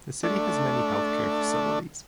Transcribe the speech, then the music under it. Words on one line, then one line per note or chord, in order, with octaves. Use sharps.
The city has many healthcare facilities.
A3 D4